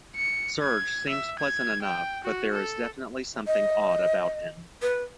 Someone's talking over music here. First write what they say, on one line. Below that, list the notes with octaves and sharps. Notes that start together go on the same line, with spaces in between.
Serge seems pleasant enough, but there is definitely something odd about him.
C#7
G#6
E5
G#6
G5
F#4
A4
D#5
B4